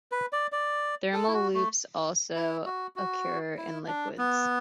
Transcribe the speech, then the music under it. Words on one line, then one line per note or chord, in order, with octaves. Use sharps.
Thermal loops also occur in liquids.
B4
D5
D5
A4
E4
F#4
A3
E4
F#4
F#4
E4
D4
B3